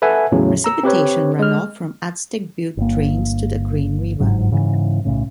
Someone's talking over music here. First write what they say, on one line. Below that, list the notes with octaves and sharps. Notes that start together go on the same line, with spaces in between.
Precipitation runoff from Aztec Butte drains to the Green River.
A4 B4 E5 F#5 G#5
E2 A2 C#3 F#3
A#5 E6
C4 G4 B4 C#5
G#3 F6
G1 A#3
G1 G#2 F#3
G#2 C#3 E3
B1 A2 C#3